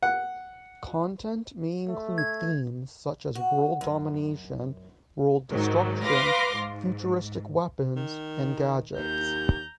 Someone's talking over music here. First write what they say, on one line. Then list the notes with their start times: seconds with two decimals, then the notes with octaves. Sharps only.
Content may include themes such as world domination, world destruction, futuristic weapons, and gadgets.
0.03 F#5
1.87 A3
2.18 G#6
3.35 F#4
3.81 F#2
5.50 G#2 D#3 F#3
6.03 B4 F5 C6 D6 F6 A#6
6.55 G#2
7.96 D#3
8.98 D#2 A#5 G6